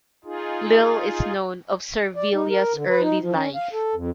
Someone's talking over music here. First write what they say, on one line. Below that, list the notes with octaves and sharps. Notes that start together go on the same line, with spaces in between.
Little is known of Servilia's early life.
D#4 F4 G#4
D5
D#4
A#4
D3
B4
D#4
F3
C#4
F5
A4
F2